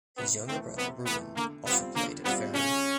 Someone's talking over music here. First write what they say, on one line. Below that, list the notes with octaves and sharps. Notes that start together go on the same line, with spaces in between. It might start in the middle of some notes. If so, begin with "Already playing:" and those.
His younger brother Ruben also played at Ferro.
C3 B3
E3 A3 C4
C3 B3
E3 A3 B3
D3 A#3
G3 B3 C4 F4
D3 A#3
G3 B3 C4 F4
C#3 C#4